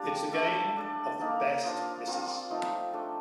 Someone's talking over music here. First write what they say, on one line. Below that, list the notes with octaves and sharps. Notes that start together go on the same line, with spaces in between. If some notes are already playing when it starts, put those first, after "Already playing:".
It's a game of the best misses.
Already playing: G3 D4 G4 D5 F5
A3 D4 A4
D4 A4 D5
A#3 D#4 A#4
D4 F4 C5 D#5
C4 F4 A#4
F3 A3 D#4
A3 D4 A4